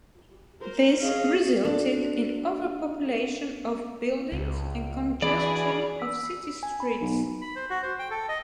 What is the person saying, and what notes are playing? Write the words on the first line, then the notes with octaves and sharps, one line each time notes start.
This resulted in overpopulation of the buildings, and congestion of city streets.
A#4 C5
G#4 C#5 D#5 F5
C4 D4 F#4 A4
C#2
E3 D4 F#4 G#4 D5 B5
E6 B6
G#5
B5
B1
B5
C5
F#4
C5
G5
A4
D#5